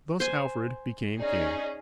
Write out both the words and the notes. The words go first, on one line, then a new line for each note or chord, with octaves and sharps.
Thus Alfred became king.
C5 G#5
C#4 D#4 G#4 D5